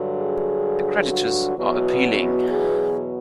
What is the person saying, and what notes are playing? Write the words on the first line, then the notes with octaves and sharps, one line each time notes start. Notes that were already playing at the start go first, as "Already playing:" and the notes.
The creditors are appealing.
Already playing: G2 D3 F#3
G#4
F#4
E2 B2 F#3 B3 F#4
F#4
G#4